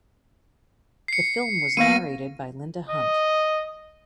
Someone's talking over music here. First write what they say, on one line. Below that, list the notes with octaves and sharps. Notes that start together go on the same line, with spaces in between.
The film was narrated by Linda Hunt.
C7 C#7
A#3 B3 F5 A#6 D#7
D#5